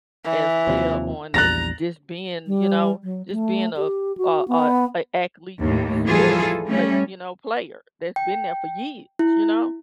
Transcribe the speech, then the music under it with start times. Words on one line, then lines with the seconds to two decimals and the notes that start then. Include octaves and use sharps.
as well on the just being, you know, just being a a a a athlete sports, but, you know, player that's been there for years, you know?
0.25 E3
0.67 D#2 C3 F3
1.34 A#1 E2 G3 A#5 F#6 A6 A#6
2.47 G3
3.04 F#3
3.31 A3
3.77 G4
4.17 F#4
4.48 B3
5.62 D#2 A2
6.07 E3 F3 G3 F4 G#4 A4
6.67 G3 A3 C#4
8.16 G5
9.19 E4